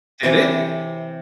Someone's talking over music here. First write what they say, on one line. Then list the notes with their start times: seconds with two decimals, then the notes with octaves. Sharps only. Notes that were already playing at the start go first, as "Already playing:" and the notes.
Did it?
0.23 C3 E3 G4 C#5